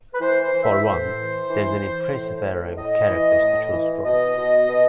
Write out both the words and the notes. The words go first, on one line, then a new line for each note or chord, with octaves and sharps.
For one, there is an impressive array of characters to choose from.
B4
E3 C5
C5
E3
E5
A2 C5
E3
E3
E3
A2
A2
A2 D#5
E3
A2
E3
B2 D#5
B2
B2